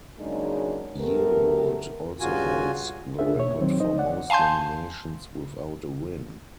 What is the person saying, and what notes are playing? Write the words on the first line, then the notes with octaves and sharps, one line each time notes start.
Yearwood also holds the record for most nominations without a win.
C#3 F#3 G#3 A#3 D4 D#4
F#2 A3 B3 G4 A#4
G2 C#3 F4 F#4 G#5
D4 F4 G#4 A#4 C5 E5
B2 A#3 C#5
D#3 F#3 C4 C5
F3 D#4 C5 D#5
C#5 D5 F#5
F5 G#5 A5 C6 G6